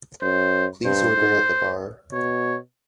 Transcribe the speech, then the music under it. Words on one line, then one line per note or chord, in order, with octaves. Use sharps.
Please order at the bar.
F#2 C5
G2 C5
G#2
B2 C#5